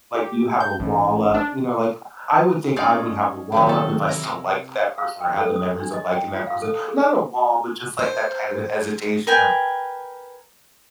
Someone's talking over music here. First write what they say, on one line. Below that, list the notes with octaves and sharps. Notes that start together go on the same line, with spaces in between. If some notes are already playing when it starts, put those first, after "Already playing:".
Like, do you have a wall up? You know, like, I would think I would have a wall up if I still liked that person or had the memories of liking that person, not a wall, but just like that kind of hesitation of
G4
G6
A1
D4
C#4 D#4 D5 F5 G#5
C3 D#3 F#3
D#3 A4
E4 A#5
F5
G5
A4
D#6
D4
D#5
G5
F4
F5
A4
D#6
G#4
C5
A#4 B4 G5 G#5